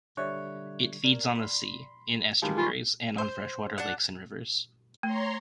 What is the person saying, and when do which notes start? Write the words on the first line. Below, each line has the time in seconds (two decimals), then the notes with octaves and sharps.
It feeds on the sea, in estuaries, and on freshwater lakes and rivers.
0.17 D3 G3 C#5 D5 E5 F#6
1.04 A#4 D5
1.35 B5 C6
2.42 D#3 E3 G3 G#3 F5 A5 B5
2.58 F4 G#5 B5 C#6
3.18 C5
3.78 D4 F#5
5.03 A3 C#5 A#5 C6